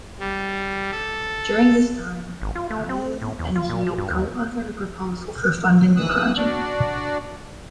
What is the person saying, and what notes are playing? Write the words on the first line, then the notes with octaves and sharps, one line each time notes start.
During this time, Cailliau and he co-authored a proposal for funding for the project.
G3
A4
G#1
F4
A3
C4
A2
E2
F4
A#2
F3
G2
D#2
D2 G#2 E3 D#6 E6 F#6
D4 F#4 D5